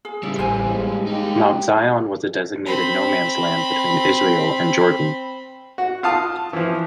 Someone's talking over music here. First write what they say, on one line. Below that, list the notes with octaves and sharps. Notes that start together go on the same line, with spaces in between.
Mount Zion was a designated no-man's land between Israel and Jordan.
G#4
A2 C#3 G3 E4
A1 C5 G#5
G#3
D#4 G4
C4 B5
F#4
F4 F5 A5 D#6
E3 F3